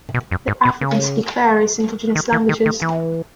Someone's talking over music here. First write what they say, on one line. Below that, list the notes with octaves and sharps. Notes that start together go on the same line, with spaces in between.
The Africans speak various indigenous languages.
B2
F#2
G#2
B2
C#3
D#3
E3
D#3
D#3
E3